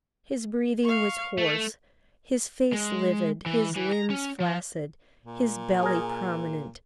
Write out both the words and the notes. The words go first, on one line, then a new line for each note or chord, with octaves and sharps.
His breathing was hoarse, his face livid, his limbs flaccid, his belly prominent.
F5 C#6
A3 A4
G#3
E3
E3
A#5
C#4
F3
A#2
G#4 A#4